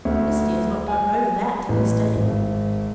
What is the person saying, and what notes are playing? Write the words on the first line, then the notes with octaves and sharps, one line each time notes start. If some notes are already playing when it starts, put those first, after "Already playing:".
Felicity has not gotten over that to this day.
D2
G#5
A1
G#1